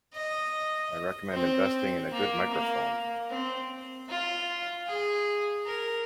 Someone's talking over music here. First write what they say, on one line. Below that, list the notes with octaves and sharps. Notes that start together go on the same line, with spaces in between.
I recommend investing in a good microphone.
D#5
C4
A#3
A#3
C4
F4
G#4
A#4